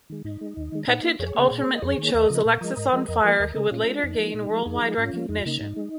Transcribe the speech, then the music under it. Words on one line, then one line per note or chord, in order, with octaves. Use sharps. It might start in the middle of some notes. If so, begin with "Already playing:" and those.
Pettit ultimately chose Alexisonfire who would later gain worldwide recognition.
D#3 G#3
G#2 D#4
G#3
D#2
D#3 G#3
A#2 D#4
A#3
F2 G#4 C#5
C#3 A#3
A#2
A#3
D#5
F2 G#4 C#5
D#3
A#3
D#2 A#4 D#5
C#3 F3
A#2
F3 G#3 A#4 D#5
G#2
F3 G#3
F2
F3 A#3
D#2 A#4 D#5
C#3 G#3 G#4
A#2 C#4 F4
G#3
F4
F2 D#4
F3 A#3
A#2
F3 G#3
F2 D#4 G#4
F3 G#3
G#2 C#4 F4
F3 A#3
F2 D#4
F4
C#3 A#3 D#4
G#2
G#3